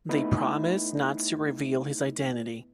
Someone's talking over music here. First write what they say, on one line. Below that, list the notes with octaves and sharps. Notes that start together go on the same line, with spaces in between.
They promise not to reveal his identity.
A3 B3 D#4 E4 B4